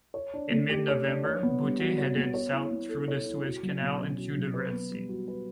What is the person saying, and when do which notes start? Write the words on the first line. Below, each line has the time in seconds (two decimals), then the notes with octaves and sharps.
In mid-November, "Butte" headed south through the Suez Canal into the Red Sea.
0.14 C#5
0.33 D4
0.51 A3
0.69 G4
0.88 C#5
1.06 D4
1.24 C#5
1.43 B3
1.62 G3
1.79 F#4
1.98 C#5
2.17 B3
2.34 C#5
2.53 E4
2.71 B3
2.89 A4
3.08 C#5
3.26 E4
3.44 F#4
3.63 F#3
3.81 B2
3.99 C#4
4.17 F#4
4.36 F#3
4.54 B4
4.72 B3
4.91 G3
5.09 F#4
5.28 B4